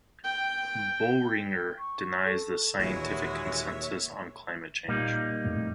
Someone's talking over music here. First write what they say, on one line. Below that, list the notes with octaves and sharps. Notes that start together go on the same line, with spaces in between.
Boehringer denies the scientific consensus on climate change.
G5
C#6
A4
D#2 A#2 E3 G#3 F#4 C#5 E5
A#2 G3 A#3 D#4
F2 A2 A3